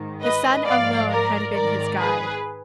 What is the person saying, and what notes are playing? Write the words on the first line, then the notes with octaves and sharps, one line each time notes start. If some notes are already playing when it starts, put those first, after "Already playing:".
The Sun alone had been his guide.
Already playing: G#2 D#3
B4 D#5
G#2 F3 D5 F5
A#4 D5
G#2 D#3 A#4 D5
G#4 B4